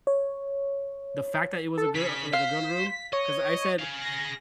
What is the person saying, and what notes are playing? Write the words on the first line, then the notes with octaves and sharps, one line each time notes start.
the fact that it was a gir or, like, a girl in the room. 'Cause I said,
C#5
A4
C#3 B6
C5 F5
C#5 D#5
G#4 F5
A#6